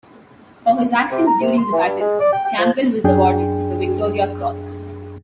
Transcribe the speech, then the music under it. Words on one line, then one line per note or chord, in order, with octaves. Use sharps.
For his actions during the battle, Campbell was awarded the Victoria Cross.
C3
A#5
C3
C6
E3
G2
G#3
D5
G5
G5
F3
F#2 D4 G#4 G5